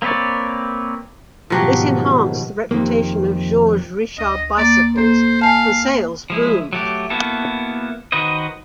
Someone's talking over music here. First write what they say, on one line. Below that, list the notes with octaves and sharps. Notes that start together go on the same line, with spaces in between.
This enhanced the reputation of Georges-Richard bicycles and sales boomed.
A#3 C4 B4 C#5 D5
G#2 B2 D#3 F3 F#3 G4
F2 C3 D#3 A#3
D2 D#5
A#3 D5
A#3 A4 C5
F5 G#5 A5
F3 G#3 E4
F#3 A3 G4
A#3 B3 E4 F#4 A4
D#3 F#4 B4 C5 D#5